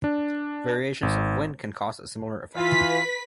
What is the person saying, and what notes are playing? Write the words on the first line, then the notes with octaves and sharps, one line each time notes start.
Variations of wind can cause a similar effect.
D4
G#1
E3 F4 B4 B6